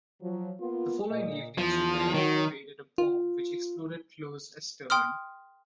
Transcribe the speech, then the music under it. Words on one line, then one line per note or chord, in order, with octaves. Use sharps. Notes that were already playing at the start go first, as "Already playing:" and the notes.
The following evening, she barely evaded a bomb which exploded close astern.
F3 F#3
A#3 B3 F4
A#2 D#5
E2 F3
D#3 F#3 C#5
F4
G5 C6 D#6 F6